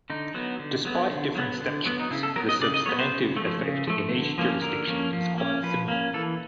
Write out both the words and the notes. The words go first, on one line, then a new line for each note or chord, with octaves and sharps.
Despite differing statutes, the substantive effect in each jurisdiction is quite similar.
D3 D#4
F#3 B3
D3
F#3 B3
D3
F#3 B3
D3
F#3 B3
D#4
C#3 E4
A4
F#3 B3 A#4
D#5
C#3 D5
D#5
F#3 B3 C#5
C5
C#3
F3 A3
C#3
F3 A3
D3
F3 A#3 C#4
D3 A#4
F3 A#3 C#4
F3
A#3 C#4
F3 B4
A#3 C#4
E3 A4